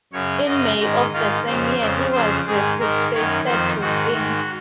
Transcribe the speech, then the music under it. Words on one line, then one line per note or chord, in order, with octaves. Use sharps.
In May of the same year he was repatriated to Spain.
F#2 C#3 C#5
F#2 C#3 D#5
G#2 D#3 D#5
G#2 D#3 F4
F2 C#3 C5
F2 C#3
F2 C#3 C5
G#2 D#3 G#4
G#2 D#3 A#4
F#2 D#3 C#5
F2 D#3 C5
G#2 D#3 F#4
G#2 D#3